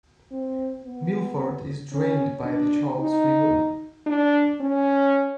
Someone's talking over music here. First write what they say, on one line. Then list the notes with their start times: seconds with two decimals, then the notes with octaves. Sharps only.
Milford is drained by the Charles River.
0.31 C4
0.84 B3
1.92 C#4
2.45 D4
2.99 D#4
4.06 D4
4.60 C#4